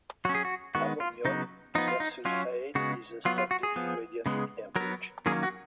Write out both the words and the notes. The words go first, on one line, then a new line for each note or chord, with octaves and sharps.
Ammonium persulfate is a standard ingredient in hair bleach.
F#3 C#4 F#4
G#4
F#4
D#3 G#3 B3 F#4
F4
C#3 F#3 B3 D#4
F3 B3 D#4
F4
D#4
F#3 C#4 F4
C#3 G#3 B3 F#4
F#3 B3 F4
F4
F#4
G#4
F3 B3
C#3 G#3 B3
F#3 B3 A#4
D#3 F#3 A#3 C#4 G#4
F#4